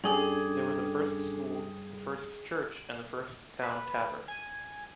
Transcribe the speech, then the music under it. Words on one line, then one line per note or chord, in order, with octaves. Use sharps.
There were the first school, the first church and the first town tavern.
G2 C#4 D4 G#4 A4 G5
B4
G#5